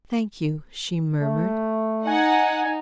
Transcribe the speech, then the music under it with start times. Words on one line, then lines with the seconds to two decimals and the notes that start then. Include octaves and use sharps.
"Thank you," she murmured.
1.21 A3
2.07 D#4 F#5 G#5